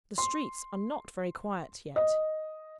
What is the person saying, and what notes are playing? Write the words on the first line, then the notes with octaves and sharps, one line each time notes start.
The streets are not very quiet yet.'
C6
D#5